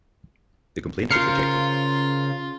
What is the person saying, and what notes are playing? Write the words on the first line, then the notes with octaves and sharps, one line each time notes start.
The complaint was rejected.
C#3 F4 A#4 C5 F6 C7 C#7